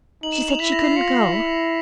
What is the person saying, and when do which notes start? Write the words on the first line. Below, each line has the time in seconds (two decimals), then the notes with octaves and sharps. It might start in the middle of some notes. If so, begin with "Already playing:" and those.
She said she couldn't go.
0.23 D#4 F#7
0.32 E7
0.42 F#7
0.50 F7
0.60 E4 B6
0.72 A#6
0.84 C7
0.96 F4 C#7
1.15 C7
1.32 E4 B6